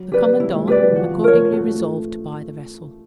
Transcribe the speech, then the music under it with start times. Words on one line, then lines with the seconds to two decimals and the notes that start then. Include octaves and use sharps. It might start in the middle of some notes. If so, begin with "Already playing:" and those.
The commandant accordingly resolved to buy the vessel.
Already playing: F#3
0.11 F#3 G4 B4 D5
0.26 G3
0.40 G3 E4
0.54 G#3
0.68 G#3 G4 B4 D5
0.82 F#3
0.92 E3
0.96 F3 F#4
1.15 F3
1.24 A#4 C#5
1.34 F3
1.52 A3 F#4
1.67 A3